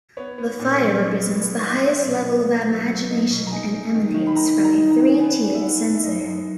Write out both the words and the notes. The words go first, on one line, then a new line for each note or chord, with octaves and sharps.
The fire represents the highest level of imagination and emanates from a three-tiered censer.
B3 C#5
B3
A#2
F#3
D#4
B3
B3
D#4
F#3 E5
B2
D#4
B3
F#3
F#3
D#4
B2
A#5
D#4 G#5
D#4
D#3
D#3
B5
D#3 A#5
D#3
A#5
D#4
A#5
D#3
B3 G#5
E3
E5
B3 F#5
B3
E5
F#2 D#5
F#2